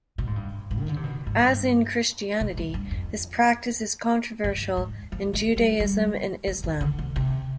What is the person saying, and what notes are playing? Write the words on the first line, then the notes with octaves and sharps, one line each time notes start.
As in Christianity, this practice is controversial in Judaism and Islam.
B2
G#2
G2
G#2
D#3
D3
C3
B2
G#2
G2
B2
G#2
G2
F2
G2
G#2
F3
G#3
G3
G3
F3
D#3
D3
C3
C3